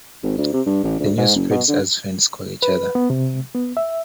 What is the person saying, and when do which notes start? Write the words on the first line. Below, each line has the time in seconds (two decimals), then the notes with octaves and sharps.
The news spreads as friends call each other.
0.23 G#1
0.38 D2
0.53 C3
0.66 G2
0.84 A1
0.99 D2
1.18 G#2
1.36 F#1
1.50 B2
1.68 D3
2.62 B4
2.95 B3
3.10 C3
3.55 B3
3.77 E5